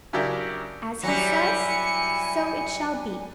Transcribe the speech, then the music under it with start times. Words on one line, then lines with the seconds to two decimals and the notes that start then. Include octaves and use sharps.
As he says, so it shall be.
0.13 C#3 F#3 D4 E4 G4 A#4
1.03 F#3 G3 E4 G#5 C#7